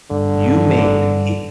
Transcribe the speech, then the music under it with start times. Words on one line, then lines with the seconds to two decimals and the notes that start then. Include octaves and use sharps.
you made the he
0.11 G2 D3